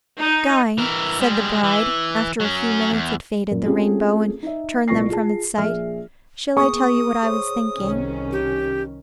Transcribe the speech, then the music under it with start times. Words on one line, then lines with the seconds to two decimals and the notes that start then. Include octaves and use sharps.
'Guy,' said the bride, after a few minutes had faded the rainbow, and turned them from its sight, 'shall I tell you what I was thinking?
0.19 D#4
0.78 E3 A#4
1.21 G3 G#3
1.63 E3
2.40 F#3 C#4
2.93 E2
3.51 F#2 A#2
3.65 A3 C4 C#4 F4 G4 G#4
4.43 D#4 E5
4.88 C2 B2 F4 C#6 A#6 C7
5.09 F4 G#4 A5
5.58 A#1 G#4 E5 F6
6.57 A#3 B3 G#4 C#6 D#6
7.23 G#4 C5 C#5
7.76 C2 D#3 C#4
8.32 G4